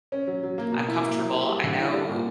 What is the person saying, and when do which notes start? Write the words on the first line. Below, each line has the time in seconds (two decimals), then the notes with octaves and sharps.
I'm comfortable, I know
0.12 C#4
0.27 F#3
0.43 F#3
0.58 A#3
0.72 B2
0.88 E4
1.03 A#3
1.18 F#3
1.34 G4
1.48 G3
1.64 D3
1.79 E4
1.94 G3
2.09 A#2